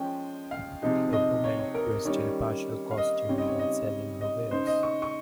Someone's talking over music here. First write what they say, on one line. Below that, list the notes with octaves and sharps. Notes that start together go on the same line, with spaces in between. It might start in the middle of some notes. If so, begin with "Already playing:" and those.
A woman dressed in a partial costume while selling her wares.
Already playing: F3 G#3 C#4 G5
F5
C3 F3 G#3 D#4
D#5
C#5
C#5
A#4
D#3 G3 C#4 C#5
F5
D#5
C#3 G3 C4 D#4 C#5
D#5
C#5
D#5
D#5
C#3 G#3 D#4 C5
D#5
C#6
C#6